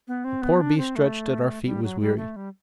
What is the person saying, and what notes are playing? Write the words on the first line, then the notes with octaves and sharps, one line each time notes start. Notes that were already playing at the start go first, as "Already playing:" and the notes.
The poor beast stretched at our feet was weary.
B3
C4
B3
D4
C4
A3
G3
F#3
G3
A3
G3